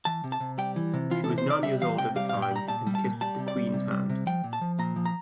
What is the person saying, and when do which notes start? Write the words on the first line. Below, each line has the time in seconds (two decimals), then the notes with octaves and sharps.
She was nine years old at the time and kissed the Queen's hand.
0.05 E3 A5
0.24 C3
0.32 A5
0.40 C3
0.58 G3 G5
0.76 E3
0.94 C3
1.11 E3 F4
1.24 A4
1.28 C3
1.38 C5
1.46 C3 D5
1.63 G3 E5
1.81 E3 F5
1.98 C3 G5
2.16 G3 F5
2.29 F5
2.34 A#2
2.42 G5
2.51 G3 A#5
2.68 A#2 A5
2.87 G3
2.95 A5
3.04 A#2
3.21 G3 A5
3.38 C3
3.48 D5
3.56 G3
3.73 C3
3.92 G3
4.09 C3
4.27 F3 G5
4.44 A#2
4.53 A5
4.61 F3
4.79 A#2 A#5
4.96 F3
5.06 A#5